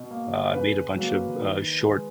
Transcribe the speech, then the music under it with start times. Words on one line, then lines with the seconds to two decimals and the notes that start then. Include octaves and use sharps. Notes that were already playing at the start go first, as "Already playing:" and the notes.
uh, made a bunch of, uh, short,
Already playing: B2
0.11 A#3
0.53 C#3 B4
0.95 F#3 A#3
1.38 D#3
1.81 G#3